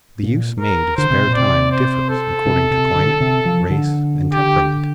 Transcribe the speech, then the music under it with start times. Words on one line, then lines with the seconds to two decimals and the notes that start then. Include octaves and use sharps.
The use made of spare time differs according to climate, race, and temperament.
0.23 A#2
0.60 A#4
0.97 D3 C5
1.10 C3
1.24 A#2
1.34 C3 D5
1.71 C5
2.09 A4
2.46 C3
2.71 C3
2.95 D3
3.20 C3
3.45 F3
3.70 D3
4.32 G4